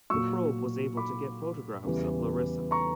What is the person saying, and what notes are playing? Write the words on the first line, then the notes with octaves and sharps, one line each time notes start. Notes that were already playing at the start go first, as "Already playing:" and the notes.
The probe was able to get photographs of Larissa.
A#2 F#3 C#6 E6
B5 D6
E2 C#3 E3 G3
A#5 C#6